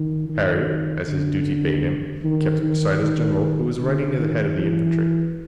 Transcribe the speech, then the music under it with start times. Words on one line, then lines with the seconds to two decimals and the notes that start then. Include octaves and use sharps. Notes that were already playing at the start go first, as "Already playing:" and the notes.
Harry, as his duty bade him, kept beside his general, who was riding near the head of the infantry.
Already playing: D#3
0.29 D#3
1.08 D3
2.24 D#3
2.63 D#3
3.02 D#3
3.81 D3
4.19 D#3
4.58 E3